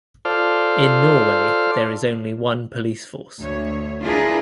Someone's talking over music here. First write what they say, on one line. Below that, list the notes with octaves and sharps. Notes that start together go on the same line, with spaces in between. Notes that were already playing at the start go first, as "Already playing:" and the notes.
In Norway there is only one police force.
F4 A4 C5 D5 F6
D2 C#5
D4 E4 F4 G#4 A#4 B4